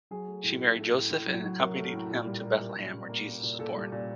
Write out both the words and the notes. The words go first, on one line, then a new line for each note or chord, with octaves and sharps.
She married Joseph and accompanied him to Bethlehem, where Jesus was born.
F#3 G#4
A3
A2
A3
A3
A2
A2
F#3
F#3
F#3 A#4
A3
A2
A#2
G3
G3
G3 A#4
A#2
A#2
A#3
A#3
A#2
A#2 A4
G3
A#2